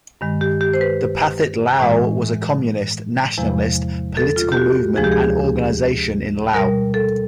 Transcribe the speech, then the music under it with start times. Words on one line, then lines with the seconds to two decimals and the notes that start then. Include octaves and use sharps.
The Pathet Lao was a communist, nationalist political movement and organization in Laos.
0.21 G2 D#3 G#3
0.41 G4
0.61 G4
0.74 C5
0.81 B4
1.80 A2 E3 G#3
3.38 E2 C3 F3 G#3
4.17 A4
4.36 F4
4.52 G4
4.57 F#4
4.96 D2 C3 F3 G#3 G#4
5.04 G4
5.12 G#4
6.54 B2 G3 A#4
6.94 A4